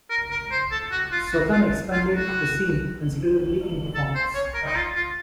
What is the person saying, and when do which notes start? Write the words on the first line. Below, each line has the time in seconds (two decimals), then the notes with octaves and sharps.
Sothern expanded the scene considerably in performance.
0.10 A#4
0.31 A#4
0.51 C5
0.71 A4
0.91 F#4
1.12 F4
1.32 F#4
1.52 F4
1.92 F4
2.13 F#4
3.94 A4
4.15 C5
4.34 C#5
4.54 A#4
4.66 D#4
4.75 F4
4.95 F4